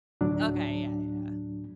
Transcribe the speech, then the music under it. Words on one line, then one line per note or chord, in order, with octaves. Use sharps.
Okay, yeah, yeah.
D2 A2 F#3 D4